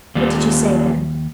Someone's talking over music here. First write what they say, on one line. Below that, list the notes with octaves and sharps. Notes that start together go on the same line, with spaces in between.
"What did you say, then?"
D#2 A#2 G3